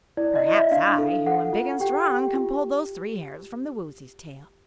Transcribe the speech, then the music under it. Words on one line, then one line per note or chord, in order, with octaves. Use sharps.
"But perhaps I, who am big and strong, can pull those three hairs from the Woozy's tail."
E4 D5
D#5
E4
E5
D4 F5
A4
A4 F#5
F4
G4 G5
G4
F4